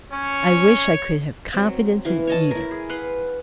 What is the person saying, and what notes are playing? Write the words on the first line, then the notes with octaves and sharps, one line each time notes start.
I wish I could have confidence in either.'
C#4 C#5
F#3 C4
E3 E4 F5
C#5 D#5 A5
E4 A#4
G#4
B4 F5 F#5 C6